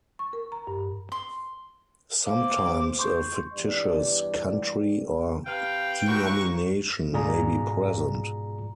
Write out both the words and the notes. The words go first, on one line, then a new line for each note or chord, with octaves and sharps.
Sometimes a fictitious country or denomination may be present.
C#6
A#4
A#5
G2
C6
C5 F5 D6
C6 C#6 G6
E2 G2 G3 D5
C3 B4 F5 G5
D#2 F#4 A#5 C#6
G#2 B2 F4 G#4 D5 A#5